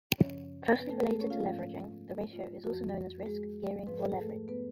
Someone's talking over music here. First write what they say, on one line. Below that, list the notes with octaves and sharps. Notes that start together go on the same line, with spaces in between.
Closely related to leveraging, the ratio is also known as risk, gearing or leverage.
F#2 C#3 F3 C#4 C#5
B3 B4
A3 A4
G#3 G#4
A3 A4
C#4 C#5
F4 F5
G#2 F3 F4 F5
F4
F2 F3 F#4
G#3 G#4
G#2 F3 B4
A4
G#4
A3 A4
B3 B4